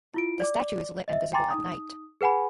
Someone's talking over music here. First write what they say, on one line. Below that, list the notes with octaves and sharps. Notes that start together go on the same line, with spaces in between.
The statue is lit and visible at night.
E4 F4 D7
D5 D6
D#5 E5
G5 G#5 A#5 C6 D6 A6
D#4 D#6
G#4 B4 F#5 G#5 B5